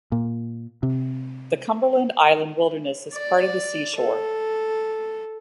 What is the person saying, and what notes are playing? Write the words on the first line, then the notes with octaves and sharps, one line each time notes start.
The Cumberland Island Wilderness is part of the seashore.
A#2
C3
D5
A4